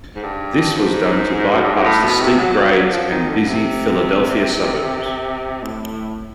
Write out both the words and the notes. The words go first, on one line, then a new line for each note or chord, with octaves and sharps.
This was done to bypass the steep grades and busy Philadelphia suburbs.
G#2
G2
G#2
F#2
G2
G#2
A2
B2
C3
F#3
F3
D#3
D3
C3
A2